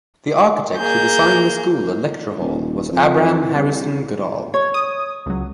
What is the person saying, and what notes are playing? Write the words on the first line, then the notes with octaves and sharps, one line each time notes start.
The architect who designed the school and lecture hall was Abraham Harrison Goodall.
A#3 G#4 G6
D#1
F2
E3
C2
C#5 G#6
D#6
C#2 F#3